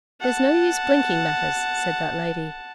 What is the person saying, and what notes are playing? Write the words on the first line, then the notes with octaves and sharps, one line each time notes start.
'There's no use blinking matters,' said that lady.
F#5 A5